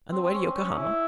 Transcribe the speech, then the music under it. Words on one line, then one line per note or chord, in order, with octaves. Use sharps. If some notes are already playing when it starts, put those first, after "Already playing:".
"On the way to Yokohama?"
C4
C4
C#4
C4
C#4
E4